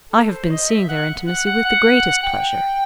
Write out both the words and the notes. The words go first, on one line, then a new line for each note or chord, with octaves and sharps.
I have been seeing their intimacy with the greatest pleasure.
A4
C5
D#5
E5
F#5
F#5
F#5
F#5
G5